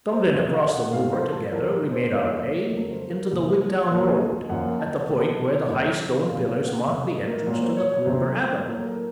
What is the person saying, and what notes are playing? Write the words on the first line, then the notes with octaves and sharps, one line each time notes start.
Stumbling across the moor together, we made our way into the Wigtown Road, at the point where the high stone pillars mark the entrance to the Cloomber avenue.
C5
C3 F3 A3 D#5
F5
F#5
A2 A3 F5
C5
A4
A2 F3 A3 A#4
C5
F#2 D#3 A#3 C#5
D#5
C#5
F2 C#3 F#3 A3 A#4
C5
A#4
C3 F3 A#3 A#4
C5
C#5
A#2 F3 A#3 C#5
D#5
F#2 F3 A#3 F#5
A5
A2 F#3 A3
F#2 D#3 F#3
A#2 A3 F5
F5
F#5
C3 F#3 A3 F5
D#5
A#4
A#2 F#3 A#3 A#4
C5
C#5
C#5
C3 F#3 A3 C5
A2 F#3 A#3 A4
A#4